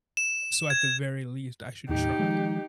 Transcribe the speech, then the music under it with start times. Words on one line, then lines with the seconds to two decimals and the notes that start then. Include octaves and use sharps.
So, at the very least, I should try.
0.17 E7
0.70 G#6
1.89 D#2 A2 D#4 G4
2.19 D#3 F3 G#3